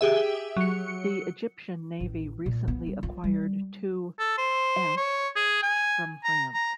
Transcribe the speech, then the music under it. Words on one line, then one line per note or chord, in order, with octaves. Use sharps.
The Egyptian Navy recently acquired two s from France.
G4 G#4 E5
F#3 C#7
A1
A#2
B3
G3
F4
G3
A4
C5
C#5
G#4
G#5
A#5
A#5